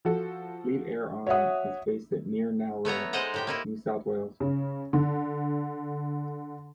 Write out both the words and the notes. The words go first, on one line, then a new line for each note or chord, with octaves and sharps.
The Fleet Air Arm is based at near Nowra, New South Wales.
F3 F#4 A4
F#4 C#5 E5 F#5 D#6
A3 B3 C#5 A#5
G#3 D#4 C5 D#5 F#5 A#5
A2 G4 G5
A#3 D#4 E4
C#3
D3